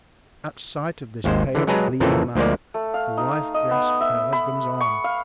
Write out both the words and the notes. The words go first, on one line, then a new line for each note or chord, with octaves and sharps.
At sight of this pale, bleeding man, the wife grasped her husband's arm.
G#1 D#2 G#3 C5
D3 E3
F#3 G#3 G#4 B4 A5 A#5
F2 A#2 C#3 E3 C4 A4
D2 F3 G#3 A#3 D5
A3
F5
D#4
D#5
B3
E5
B5
C#6
F5